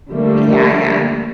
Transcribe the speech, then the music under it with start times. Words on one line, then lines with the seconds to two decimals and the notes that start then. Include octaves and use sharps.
Yeah, yeah.
0.10 D3 F3 G3 A3 A#3